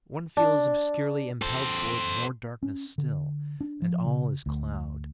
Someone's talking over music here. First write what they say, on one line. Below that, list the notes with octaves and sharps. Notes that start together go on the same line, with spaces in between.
One feels obscurely impelled towards more darkness still, and all is cloud.
D4
A4 C5
C#4
D3
D4
F3
C#3
D2